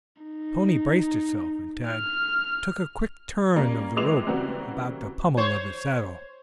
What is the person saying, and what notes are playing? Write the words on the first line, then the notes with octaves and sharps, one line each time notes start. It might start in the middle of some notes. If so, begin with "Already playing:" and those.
The pony braced itself and Tad took a quick turn of the rope about the pommel of his saddle.
D#4
F6
G3 A#3 C#4
A#1 G#3 B3 D6 C7 F7
C#3 E3 G3 A#3 C4 F#4
C5 C#5